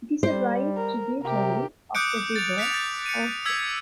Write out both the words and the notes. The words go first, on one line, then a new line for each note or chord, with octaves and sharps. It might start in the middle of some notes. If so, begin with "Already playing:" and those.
It is a right tributary of the river Ourthe.
G3 C5
A#4
C3 G4 A#4
D6 D#6 F#6 G6 C#7 D7
A6 F7
F#6 B6 C#7 D7 F7
A6
C#7 D#7
E6 G#6 B6